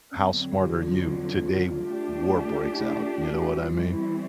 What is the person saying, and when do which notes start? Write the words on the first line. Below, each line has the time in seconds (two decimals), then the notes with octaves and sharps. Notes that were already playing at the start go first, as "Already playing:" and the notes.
how smart are you? Today, w war breaks out, you know what I mean?
0.11 C#4
0.17 F2 D3 F#3 C4
0.32 B3
0.39 C4
0.60 F#4
0.81 F4
1.89 A3 D4 G4
2.76 E4
3.03 F4
3.32 F#4
3.61 E3 G3 C4 F4
3.90 E4